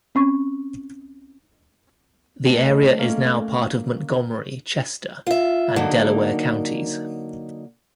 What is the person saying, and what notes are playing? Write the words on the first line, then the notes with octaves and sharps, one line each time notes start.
The area is now part of Montgomery, Chester, and Delaware counties.
C4 C#4 C#6
A3 D#5 G5 A5
A#3 C#4
F4 E5
D3 F#3 A#3 D#4